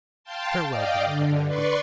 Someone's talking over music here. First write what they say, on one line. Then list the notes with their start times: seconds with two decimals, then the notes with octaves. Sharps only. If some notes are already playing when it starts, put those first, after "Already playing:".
'Farewell, beloved lady!
0.24 F5 G5 A5 C6
0.68 D5 D#5 F5 G5
1.04 D3
1.46 B4 D5 C6 C#6